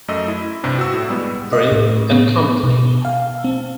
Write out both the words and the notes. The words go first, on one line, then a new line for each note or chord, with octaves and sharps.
Brill and Company.
F#2 A3 D#5 E6
E4
G2 C3 G3
F#4 E6
A2
G3 G#3 B3
D#5
A2
B3
B2
F5
C4